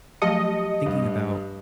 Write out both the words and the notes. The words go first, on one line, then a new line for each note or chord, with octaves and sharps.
thinking about
F3 F#3 A3 G4 D#5 A5 C#7
G2